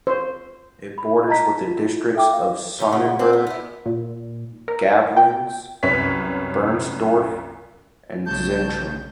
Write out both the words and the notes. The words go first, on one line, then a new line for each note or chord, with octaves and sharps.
It borders with the districts of Sonnenberg, Gablenz, Bernsdorf, and Zentrum.
C5
B5
D#5 A5 A#5 B6
F4
A4 E5 G5 D6
F5
G#2 C#4 F4
C#3 F#5
C4 D4 B4
B3
B3 E4
A#2
A#4
G5
C2 F#2 B4 C#5 B6
B1 C#3 G3 A3 A5 G6